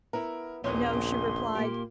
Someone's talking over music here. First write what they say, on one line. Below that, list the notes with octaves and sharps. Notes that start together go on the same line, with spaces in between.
"No," she replied.
B3 E4 A#4
D#1 A#1 A#2 B3 D#4 E4 C#5 C6
C#3
A#2 A#3 G4